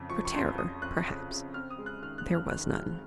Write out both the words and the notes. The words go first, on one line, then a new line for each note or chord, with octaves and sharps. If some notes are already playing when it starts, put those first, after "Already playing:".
For terror, perhaps--there was none.
Already playing: F2 C#3
F3 C#6
C#6
F2 C6
F2 D#6
F2 F#6
C#3
C#3
C4 F6
D#6
G#3
F#6
D#3 F6
F#6
F2
F6
D#3 F#6
G#3 F6